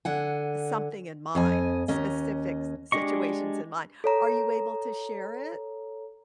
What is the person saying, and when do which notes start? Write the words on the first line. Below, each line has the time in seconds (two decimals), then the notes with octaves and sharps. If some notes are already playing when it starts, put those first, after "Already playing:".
something in mind, specific s situations in mind. Are you able to share it?
0.05 D3 F#5 G#5
1.35 F2 D#5 G#5
1.88 D#2 C#4 D#5
2.92 G#3 D4 G4 D#5 C#6
4.04 A4 C#5 A#5